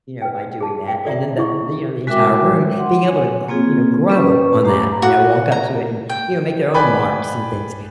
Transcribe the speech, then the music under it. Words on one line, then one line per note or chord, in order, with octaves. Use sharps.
you know, by doing that, and then the the, you know, the entire room being able to gr you know, grow on that, you know, walk up to it and, you know, make their own marks and things.
B4 G5
G#4 A5
G5
A4 D5 E5 A#5
E4 G#4 C#6
G#3 F#4 A#4 E5 G5 D6
F#5 C6
C#5 G#5
A#3 C4 F4 G#4
C#4 B4 C#6
A3 G4 A#5 B5 D6
F#4
A#5
G5
B4 D5 G5 G#5 B5